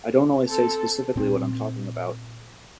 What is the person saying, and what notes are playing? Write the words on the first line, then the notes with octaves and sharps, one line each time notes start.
I don't always say specifically what I'm talking about.
C4 A4 A5
A#2 C4